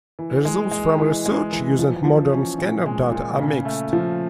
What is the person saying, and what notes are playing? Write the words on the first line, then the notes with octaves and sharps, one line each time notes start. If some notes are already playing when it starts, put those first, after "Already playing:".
Results from research using modern scanner data are mixed.
E3
G#3
G#3
E3
G#3
E3
F3
F3
C#4
A#2
G#3
A#2
C#3
A3
F3